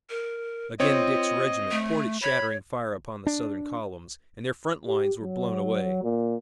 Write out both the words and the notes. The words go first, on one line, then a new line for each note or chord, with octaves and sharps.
Again Dick's regiment poured its shattering fire upon the Southern columns and their front lines were blown away.
A#4
C4 F4 C#5 D#5
A3
C#5 B5
D4
G4
F#3
A#2